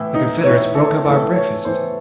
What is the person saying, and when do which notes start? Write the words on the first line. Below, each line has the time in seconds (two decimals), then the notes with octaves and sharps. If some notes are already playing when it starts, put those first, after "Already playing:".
The Confederates broke up our breakfast.
Already playing: A2 E3 E4
0.14 D#4
0.44 A2 E3 C#5
0.75 A4
1.05 A2 E3 A4
1.36 C#5
1.65 A2 E3 C5